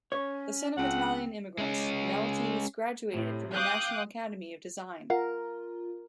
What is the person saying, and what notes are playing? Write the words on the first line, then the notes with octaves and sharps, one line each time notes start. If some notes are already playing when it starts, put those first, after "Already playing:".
The son of Italian immigrants, Maltese graduated from the National Academy of Design.
C#4 C#5
C#2 C4 F#5
G#3 C#4
A2 C3
F5 G5 D6 D#6 F#6 G6
F4 A#4 F5 F#5